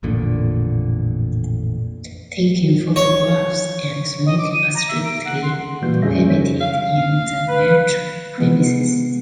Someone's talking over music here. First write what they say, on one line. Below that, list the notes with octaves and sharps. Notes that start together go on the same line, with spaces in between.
Taking photographs and smoking are strictly prohibited in the metro premises.
A1 F2 A#2 D3
C#5
D#5
D6
D#7
A#5
E5
D7
F#5
C6
A#2 E3 G3 A#3 F#4 G6
F2 G3 C#4 G#4 E5 A#6
C#3 C#5 B6
F5
B4
C3 G#3 B3